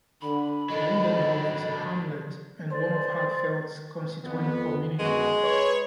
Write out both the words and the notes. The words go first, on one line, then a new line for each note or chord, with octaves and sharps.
Lindenhof is a hamlet and one of Hatzfeld's constituent communities.
D3 B5
D#3 F3 F#3 D4 A4 D#5
C5 D5
F2 B3
F#2 B2 G#3 F#4
B4 C#5